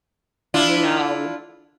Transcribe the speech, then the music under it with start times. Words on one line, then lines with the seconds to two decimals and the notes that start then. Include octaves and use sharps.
you know,
0.54 D4 E4 F4